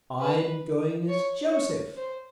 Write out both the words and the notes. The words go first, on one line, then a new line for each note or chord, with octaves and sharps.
I am going as Joseph.
B4
C#5
C#5
C5